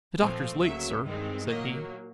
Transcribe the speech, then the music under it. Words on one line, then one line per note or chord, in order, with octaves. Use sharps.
"The Doctor's late, sir," said he.
A#2 F3 A3 C4 F5
D2 C#3 F#3 A#3 E5
G2 D#3 G#3 C4
A#2 F#3 A#3 D#5